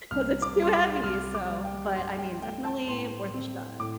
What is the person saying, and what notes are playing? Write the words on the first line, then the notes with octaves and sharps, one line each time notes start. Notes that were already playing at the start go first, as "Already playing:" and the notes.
'cause it's too heavy, so but I mean, definitely worth a shot.
C2 F6
D6
G3 C6
D6
C2 F6
D6
G3
G5
G2 C6
G5
A3 G5
A5
A2 C6
C4
A2 D6